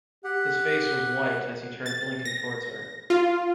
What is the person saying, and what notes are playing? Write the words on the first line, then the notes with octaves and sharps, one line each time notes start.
His face was white as he turned blinking towards her.
G4 F#5
A6
A#6
F4